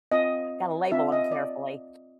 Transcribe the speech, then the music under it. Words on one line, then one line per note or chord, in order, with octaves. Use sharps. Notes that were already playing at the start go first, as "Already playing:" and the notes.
Gotta label 'em carefully.
C4 F4 D#5
C4 F4 E5
D#5
D5